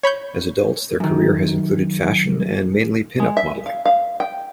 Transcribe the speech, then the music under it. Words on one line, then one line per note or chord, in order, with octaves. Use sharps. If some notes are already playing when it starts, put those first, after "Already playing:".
As adults, their career has included fashion and mainly pin-up modeling.
C#5 B5 C#6 G6
F#2 D#3
G#3
E5
F5
F5
G5